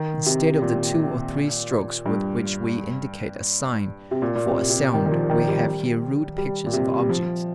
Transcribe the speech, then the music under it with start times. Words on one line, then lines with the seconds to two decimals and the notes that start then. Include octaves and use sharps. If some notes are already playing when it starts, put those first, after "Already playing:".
Instead of the two or three strokes with which we indicate a sign for a sound, we have here rude pictures of objects.
Already playing: D#3
0.26 C3
0.62 A#2
2.06 G2
4.11 C3
4.22 A#2
4.36 A#2
4.46 C3
4.70 C3
4.94 D#3
5.06 D#3
5.11 F3
5.30 D#3
5.48 G3
6.38 G3
6.66 A#2
6.73 C3
6.98 G3
7.09 F3